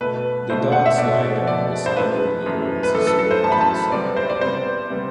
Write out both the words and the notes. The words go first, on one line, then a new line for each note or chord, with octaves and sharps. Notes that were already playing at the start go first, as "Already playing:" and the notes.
The dogs lie down beside their leader as the snow piles up around them.
B2 A3 B4
B2 A3 C5
F#5
E5
B2 A3 D5
B2 A3 D5
C5
F#2 E3 A3 B4
F#2 E3 A3
B4
F#2 E3 A3 A4
A4
A4
C5
F#2 E3 A3 A5
B5
A5
C3 G3 B3 D5
C5
D5
C3 G3 B3 C5
C3 G3 B3